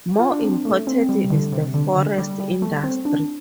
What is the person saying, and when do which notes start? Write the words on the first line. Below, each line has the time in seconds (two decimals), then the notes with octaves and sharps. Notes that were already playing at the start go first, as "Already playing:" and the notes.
More important is the forest industry.
0.19 F4
0.31 D4
0.43 C4
0.65 A3
0.87 C4
1.09 G3
1.24 C3
1.30 D3
1.53 C3
1.74 D3
1.96 D3
2.18 G3
2.40 G3
2.62 A3
2.84 C4
3.05 D4